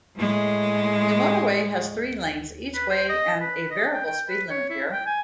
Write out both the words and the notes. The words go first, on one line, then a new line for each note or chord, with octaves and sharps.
The motorway has three lanes each way and a variable speed limit here.
A2 G#3
B4
C5
D#5
B4
D#5
G5
G5
B4
C#5
E4
G5
G#5